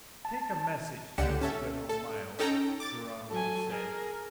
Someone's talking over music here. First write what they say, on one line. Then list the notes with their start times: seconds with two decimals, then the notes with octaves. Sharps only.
"Take a message to your General Miles," Geronimo said.
0.25 A5
1.18 C#2 D3 G4 F#5 C#7 E7
1.41 C#4 A4 E5
1.89 A4
2.39 C#4 D#4 A4 G5 A#5
2.80 D6 A6
3.30 F#3 A4 G#5
3.70 G#4 A#4